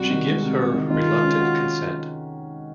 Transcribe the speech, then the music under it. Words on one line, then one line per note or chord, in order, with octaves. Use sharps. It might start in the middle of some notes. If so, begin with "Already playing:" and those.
She gives her reluctant consent.
Already playing: C3 G3 F#4
D#3
G#3
C3
C3
D#3
D#3 F4
G#3
C#4
F#4